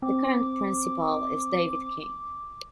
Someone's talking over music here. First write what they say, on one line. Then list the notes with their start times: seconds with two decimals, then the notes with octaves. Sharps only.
The current principal is David King.
0.02 C4 D6